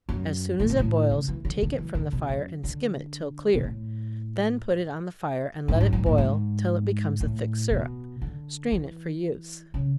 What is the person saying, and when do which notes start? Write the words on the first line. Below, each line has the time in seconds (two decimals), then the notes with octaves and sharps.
As soon as it boils, take it from the fire, and skim it till clear--then put it on the fire, and let it boil till it becomes a thick syrup--strain it for use.
0.09 F#2
0.60 A2
0.70 G#2
0.79 A2
1.11 C#3
1.28 E3
1.45 D3
1.62 D3
1.78 E3
1.95 D3
2.13 B2
2.29 F#2
2.64 D3
3.54 B2
3.64 A2
5.68 G#2
5.80 F#2
5.93 G#2
6.06 A2
6.18 G#2
7.20 A2
7.71 B2
8.22 D3
8.72 E3
9.74 C#3